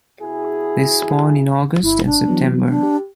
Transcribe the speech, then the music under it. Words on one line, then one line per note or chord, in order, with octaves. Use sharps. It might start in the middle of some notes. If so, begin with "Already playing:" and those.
They spawn in August and September.
B2 E4 G#4
G1 E4
D4
E3 F#3 B3
D4
G4